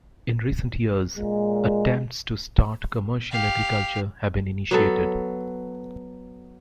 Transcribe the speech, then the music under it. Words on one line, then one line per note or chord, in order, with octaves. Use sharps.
In recent years, attempts to start commercial agriculture have been initiated.
A#2 G#3
G4 F5
F#3 B3 A4